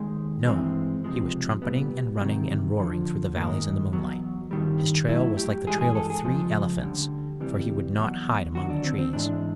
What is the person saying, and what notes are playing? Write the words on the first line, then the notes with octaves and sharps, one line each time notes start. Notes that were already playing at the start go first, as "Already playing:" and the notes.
No, he was trumpeting and running and roaring through the valleys in the moonlight. His trail was like the trail of three elephants, for he would not hide among the trees.
Already playing: D#2 D#3 G#3
G2 E3 G#3 C4
C#2 C3 F3 G#3
C2 A#2 G3 B3
D2 C3 D#3 F#3
F2 D3 F3
G#2 D#3 G#3 A#3
E2 B2 F#3
G2 D#3 G3
A2 F#3 E4
G4
G2 E3 G#3 G#4
G#4
A4
G#4
F2 C#3 F3 G#3
D2 D3 G3
D2 C3 E3 G3
E2 B2 F#3
D#2 D3 F#3 F#4
D4
C4
C4
G#2 E3 G#3 D4